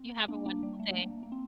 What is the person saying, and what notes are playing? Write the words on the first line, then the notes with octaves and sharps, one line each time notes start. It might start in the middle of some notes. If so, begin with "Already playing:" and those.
You have a wonderful day.
Already playing: C4
A#3 D4
A#3 D4
G3
A3
A3
A#3
A#3
C4